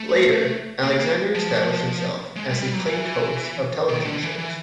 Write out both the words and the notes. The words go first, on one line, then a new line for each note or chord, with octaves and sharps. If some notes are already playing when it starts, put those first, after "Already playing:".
Later, Alexander established himself as the acclaimed host of television shows.
Already playing: A3
A#3
A#3
F3
G#3
G3
G3
F#3
E3
D#3
D3
E3
E3